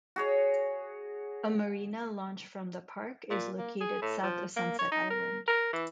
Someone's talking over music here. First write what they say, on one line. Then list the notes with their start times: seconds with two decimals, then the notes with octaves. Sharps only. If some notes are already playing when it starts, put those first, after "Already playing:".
A marina launch from the park is located south of Sunset Island.
0.16 F#4 G#4 C#5
3.30 A#2
3.58 A#3
3.80 G#4
4.02 A2
4.23 F3
4.56 A#3
4.78 C#5
4.91 D#4
5.10 A#4
5.47 A#4
5.73 E3